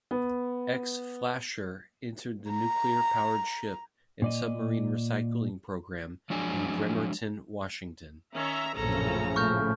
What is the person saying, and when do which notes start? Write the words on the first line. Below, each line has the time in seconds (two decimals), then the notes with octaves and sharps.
Ex-"Flasher" entered the Nuclear Powered Ship and Submarine Recycling Program in Bremerton, Washington.
0.11 B3
2.50 A#5
4.22 A#2 D5 D#5
6.30 F3 F#3 G#3 D4 G#5
8.33 D#3 C#4 E5 A#5
8.76 A#1 F#2 A2 C#3 F3 C#4 A4 A#5
9.36 A#2 A3 C#6 F6 G6